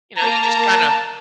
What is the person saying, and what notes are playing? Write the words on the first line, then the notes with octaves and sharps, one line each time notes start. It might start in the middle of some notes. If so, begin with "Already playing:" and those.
you know, you just kinda
A#3 A5 A#5